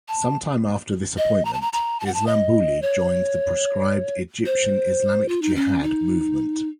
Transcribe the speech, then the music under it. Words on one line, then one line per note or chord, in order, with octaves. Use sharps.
Sometime after this appointment, Islambouli joined the proscribed Egyptian Islamic Jihad movement.
A5
D#5
A#5
A5
A#5
A#5
A5
F#5
A5
D#5
C#5
C5
F4
D#4
C#4
D#4